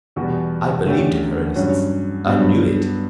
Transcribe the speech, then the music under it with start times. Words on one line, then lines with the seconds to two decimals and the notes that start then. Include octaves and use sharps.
I believed in her innocence; I knew it.
0.16 E2 B2 G3 B3 F#4
0.86 E2 D3 A3 C#4 G4
1.56 G2 F#3 C#4
2.26 G2 F#3 B3